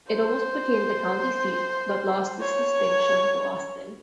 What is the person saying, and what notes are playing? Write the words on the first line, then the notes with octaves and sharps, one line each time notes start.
It almost became the county seat but lost this distinction to Austin.
C5
C#5